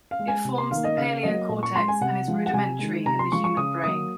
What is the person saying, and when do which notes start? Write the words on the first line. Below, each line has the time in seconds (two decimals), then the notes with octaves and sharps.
It forms the paleocortex and is rudimentary in the human brain.
0.11 F5
0.19 G#3
0.28 G#5
0.45 C3
0.58 C6
0.71 D#3 A#3 F5
0.84 D#5
0.97 C#3 F5
1.23 F#3 A#3 D#5
1.49 A#2
1.63 C#6
1.76 G#3 C6
1.88 G#5
2.01 C3 F#5
2.28 F3 G#3
2.46 F#5
2.53 C3 G#5
2.79 D#3 G#3
3.05 C3 A#5
3.19 C6
3.31 F3 G#3 C#6
3.44 C#6
3.57 C#3 D#6
3.84 F#3 A#3 D#6